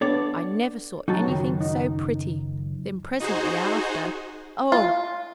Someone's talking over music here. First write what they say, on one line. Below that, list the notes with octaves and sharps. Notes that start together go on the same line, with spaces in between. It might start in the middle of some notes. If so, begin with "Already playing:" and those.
I never saw anything so pretty!' then presently after, 'Oh!
B3 D4 A4 C#5 D5
F#3 D#4 F#4 A5
C#2 F#2 D#3
D#4
D#4 F#4 G#4 C5
F4